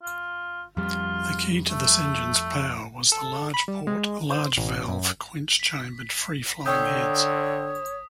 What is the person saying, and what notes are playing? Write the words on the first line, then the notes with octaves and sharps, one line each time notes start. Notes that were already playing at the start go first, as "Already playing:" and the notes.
The key to this engine's power was the large-port, large-valve, quench-chambered, free-flowing heads.
F4
F2 G3 F4
A3
A4
B5
G3
G#3
C5
A1
F#2
B6
D3 C#5 G5 D#6 E6 G6